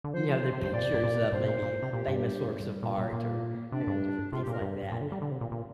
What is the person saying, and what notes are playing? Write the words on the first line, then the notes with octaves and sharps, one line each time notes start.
you know, they're pictures of maybe famous works of art or and different things like that.
D3
F3 C5
F3
C3
G2 C5
A#2 D5
C3
G2
A#2
G2 C5
C3
A#2
A#2
C3
A#2 G4
G2
G3
A#2
A#2
A#2 A#3
C3 D4
G2
C3 F4
G4
A#2 A#4
G2
A#2
D3
G3
D3
C3
A#2
A#2